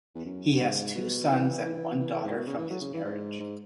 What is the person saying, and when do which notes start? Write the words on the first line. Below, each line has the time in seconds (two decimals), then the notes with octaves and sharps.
He has two sons and one daughter from this marriage.
0.15 E2
0.25 F#2
0.52 F#2
0.60 G#2
0.95 B2
1.31 E3
1.65 E3
2.00 E3
2.24 G#2
2.36 B2
2.47 C#3
2.58 E3
2.70 F#3
2.81 C#3
2.94 E3
3.04 G#2
3.40 G#2